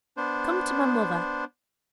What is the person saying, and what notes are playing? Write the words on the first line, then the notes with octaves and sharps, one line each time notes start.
Come to my mother.
B3 D4 C5